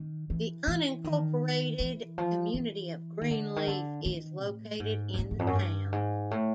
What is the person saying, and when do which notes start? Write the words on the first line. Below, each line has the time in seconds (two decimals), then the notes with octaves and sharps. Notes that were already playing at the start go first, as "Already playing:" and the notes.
The unincorporated community of Greenleaf is located in the town.
Already playing: D#3
0.30 E3
0.67 E3
1.04 D#3
1.80 E3
2.18 F3
2.54 E3
3.21 D#3
3.30 D3
3.56 D#3
3.67 D3
4.06 D#3
4.43 A2
4.80 G#2
5.14 G2
5.19 G#2
5.31 E2
5.39 F2
5.47 F#2
5.55 G2
5.92 G#2
6.31 A2